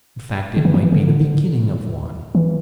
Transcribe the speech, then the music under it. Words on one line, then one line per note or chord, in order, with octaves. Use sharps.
In fact, it might be the beginning of one.
D3
E3
F3
E3
D3
E3